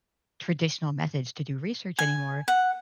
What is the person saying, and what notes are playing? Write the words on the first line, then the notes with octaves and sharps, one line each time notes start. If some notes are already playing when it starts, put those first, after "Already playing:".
traditional methods to do research anymore,
G#5
F#5